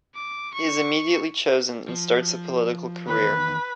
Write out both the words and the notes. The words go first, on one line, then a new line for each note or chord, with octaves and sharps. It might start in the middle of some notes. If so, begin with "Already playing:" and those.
He is immediately chosen and starts a political career.
D6
C#6
F3
E2 D#3 B4